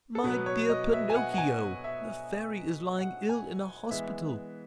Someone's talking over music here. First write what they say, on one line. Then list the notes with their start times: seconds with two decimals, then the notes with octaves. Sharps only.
"My dear Pinocchio, the Fairy is lying ill in a hospital."
0.15 A4
0.23 B2 F#3 B3 B4
0.46 C#5
0.69 D#5
0.93 E5
1.10 G#5
1.15 F#5
1.34 F#5
1.38 G#5
1.84 E5
2.99 F#5
3.29 G#5
3.91 E3 G#3 B3 E5